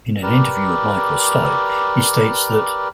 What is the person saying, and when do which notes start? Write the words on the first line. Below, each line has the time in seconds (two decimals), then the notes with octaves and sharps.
In an interview with Michael Stipe, he states that: ...
0.23 G4 A#4 B4 D5